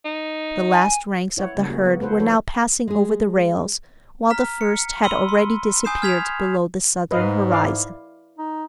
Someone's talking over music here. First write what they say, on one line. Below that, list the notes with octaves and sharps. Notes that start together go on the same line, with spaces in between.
The last ranks of the herd were now passing over the rails, while the first had already disappeared below the southern horizon.
D#4
G#5
E4 C#5 F#5
C#3 G3 A#3
A#3 F#4 G#4
B3
A4 B4 C5 F#5
F3 A#3 D#4 F#4 A4 C#5
G#3 G#4
A#5 F6 B6
C#7
B5 C6 E6 D#7 G7
C6
G#5 D#6 G6 C7 E7
F6 G#6 B6 F7
G#2 B4 D#5 F5
E4 D5 F5
D#4